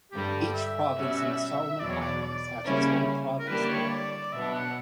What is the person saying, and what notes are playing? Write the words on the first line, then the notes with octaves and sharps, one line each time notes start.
Each province in the Solomon Islands has its own Province Day.
G2 D3 G3 G4
E5
B2 G3 C#4 F#4
E2 B2 F#3 D5
C#5
D5
D5
C#3 G3 A#3 C#4 E4
A#4
D3 G3 A#3 E4 G4 B4
D5
C#5
D5
D5
B2 F#3 B3 D4 E5
F#5